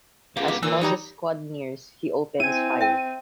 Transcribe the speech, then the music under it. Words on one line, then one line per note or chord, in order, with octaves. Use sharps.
As Bozz's squad nears, he opens fire.
C#2 B3 G4 F5
G4
A#2 E3 E6
G3 D#4 C#5 A#5
C4 E4 G#5 D#7
E5 G5